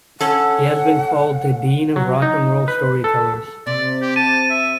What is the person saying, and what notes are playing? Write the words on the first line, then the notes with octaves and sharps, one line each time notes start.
He has been called "the dean of rock 'n' roll storytellers".
C#4 A4 F#5
F#3
D#4
B4
A4
C3 D5
G4
A5 D#7
E5